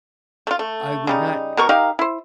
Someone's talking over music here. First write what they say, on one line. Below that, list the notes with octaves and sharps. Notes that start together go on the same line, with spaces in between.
I would not,
A3 F4
A3
C#3 G3 D#4
B2 A#4 C#6
D#4 G4 A#4 F5
E4 C5